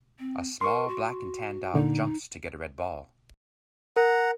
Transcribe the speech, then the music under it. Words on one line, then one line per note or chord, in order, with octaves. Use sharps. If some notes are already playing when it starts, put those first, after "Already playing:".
A small black and tan dog jumps to get a red ball.
C4
A#4 C6 C#6
F#4
A#2 D3 D#4
A#4 F#5 A#5